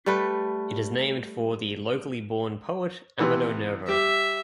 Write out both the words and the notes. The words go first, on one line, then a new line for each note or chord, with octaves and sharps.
It is named for the locally born poet Amado Nervo.
G3 A3 B4
C3 E3 B3
G3 G4 E5